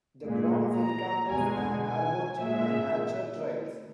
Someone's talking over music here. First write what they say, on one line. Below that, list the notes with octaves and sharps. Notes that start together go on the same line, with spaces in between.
The grounds encompass an arboretum and nature trails.
A#2 G#3
A#5
E2 B2 G#3 G#5
G#5
A#2 G#3 E5